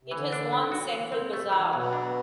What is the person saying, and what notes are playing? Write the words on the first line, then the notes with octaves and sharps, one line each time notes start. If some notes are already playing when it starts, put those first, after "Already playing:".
It has one central bazaar.
C3
D3 E3
D4
B3
F#4
E3
C4
A3
E3
B2 F#3 B3
D4